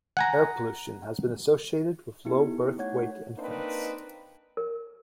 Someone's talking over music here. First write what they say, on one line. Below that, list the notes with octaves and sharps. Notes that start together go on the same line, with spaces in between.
Air pollution has been associated with low birth weight infants.
F#5 G#5 A#5
B3 D#4 E4 G4 C#7
A3 D#4 E4 C#5 F#5 G#6
A#3 C4 D4 D#4 B4
A#4